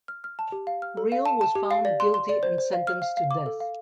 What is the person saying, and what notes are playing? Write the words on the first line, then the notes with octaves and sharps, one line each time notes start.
Riel was found guilty and sentenced to death.
F6
F6
A5
G4
F5
F6
A4
F5
A5
A5
G4
F5
D5
C6
C6
D5
C5
C5
F5
F6
F5
F5
D6
A4
F5